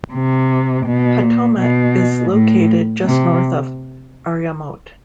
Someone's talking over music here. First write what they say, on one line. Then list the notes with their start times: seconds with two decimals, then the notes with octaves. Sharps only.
Hatoma is located just north of Iriomote.
0.13 C3
0.86 B2
1.22 A#2
1.60 B2
2.32 A2
3.05 C3